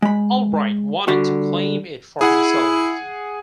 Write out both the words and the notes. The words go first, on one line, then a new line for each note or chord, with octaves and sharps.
Albright wanted to claim it for himself.
G#3 B5
D3 G3 F#4
E4 G#4 F#5 G#5